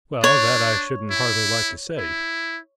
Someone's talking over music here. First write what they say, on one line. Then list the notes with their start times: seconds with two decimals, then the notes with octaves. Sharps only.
'Well, that I shouldn't hardly like to say.
0.23 D4 C#5
1.11 E4
1.98 E4